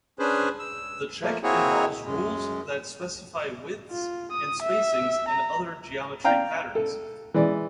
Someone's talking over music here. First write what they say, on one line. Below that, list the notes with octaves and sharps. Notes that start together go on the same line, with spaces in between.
The check involves rules that specify widths and spacings and other geometry patterns.
C#4 D4 G#4 B4 C5
E6
F3 A3 A#3
A#3 C4 E4 F#4 G#4 C#5
F#2 G#3
F4
D#6
E5
A#5
D5 F5 G5 A#5
A4
E3 G#3 D5